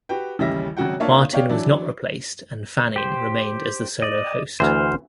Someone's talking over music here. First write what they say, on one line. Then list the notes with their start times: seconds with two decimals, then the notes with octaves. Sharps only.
Martin was not replaced and Fanning remained as the solo host.
0.09 F#4 G4 B4 G5
0.39 A1 D#2 C#3 G3 E5 A#6
0.77 G#1 C#3 F#3 F#4 F#5 G5
1.00 A#3 D4 F4 C#5 E5 F5
1.33 B3 C#5 D5 F5 G5
1.49 E3 F#3 D4 E4 D5
2.96 G4 C5
4.02 D5 D#5
4.60 D2 E3 C5 F6